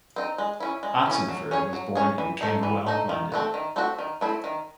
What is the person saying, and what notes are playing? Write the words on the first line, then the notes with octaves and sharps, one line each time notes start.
Oxenford was born in Camberwell, London.
C4 D#4
G#3
C#4 E4
G#3
E4
C#4
F#3
C#4 G#4 C#5
F#3
C#4 G#4 C#5
E3
A3 D#4
E3
A3 D#4
D#3
A3 C4 F#4
D#3
A3 C4 F#4
D#3
A3 C4 E4 C5
D#3